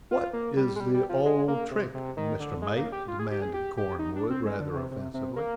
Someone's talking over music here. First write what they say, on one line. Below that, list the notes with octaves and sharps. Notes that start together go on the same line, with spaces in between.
"What is the old trick, Mr. Mate?" demanded Cornwood, rather offensively.
F4
A#3
G3
G#3
G3
G3
F3
G#3
A#3
C3
C3
D#3
D3
G#3
A#3
G4
F4
G#4
G4
G#4
G4
G4
D#4
D4
C4
G#3
D3
D3
C3
C3
C3
A#3